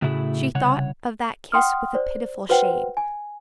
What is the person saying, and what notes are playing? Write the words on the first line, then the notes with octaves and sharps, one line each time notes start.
She thought of that kiss with a pitiful shame.
A2 C#3 A3 E4 F#4 G#4
C2 C#3 C#5 F#5
F#5 G5 C6 D#6 F6
C5 D5
F#4 B4 C5 F#5 G5
G#5